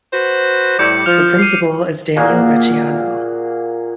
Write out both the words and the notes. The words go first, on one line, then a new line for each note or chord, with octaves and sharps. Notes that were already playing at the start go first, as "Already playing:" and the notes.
The principal is Daniel Vecchiano.
F#4 B4 C5
A2 G3 D6 G6 C#7
F3 F6 F7
C7 D#7
A#2 A#3 F#4 G#4